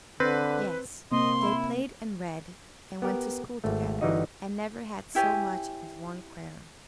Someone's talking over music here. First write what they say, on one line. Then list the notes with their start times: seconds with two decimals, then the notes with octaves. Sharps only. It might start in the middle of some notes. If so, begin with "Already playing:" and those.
Yes, they played and read and went to school together, and never had so much as one quarrel.
0.20 D3 C4 B4
1.12 C3 A#3 C4 D#5 C6
1.41 E4
3.02 B3 G4 A#4
3.64 G#1 A3
4.01 G1 E3 G3 D#4 F#4 D#5
5.15 E4 G4 C#5 G#5